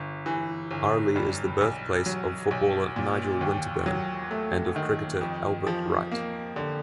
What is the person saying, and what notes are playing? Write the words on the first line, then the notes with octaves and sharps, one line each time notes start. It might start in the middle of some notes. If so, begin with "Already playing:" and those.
Arley is the birthplace of footballer Nigel Winterburn and of cricketer Albert Wright.
Already playing: G1
E3
G1
G2
B1
F#3
B1
A#2
D#2
F#3
A3
D#3
F2
F3
A#3
D3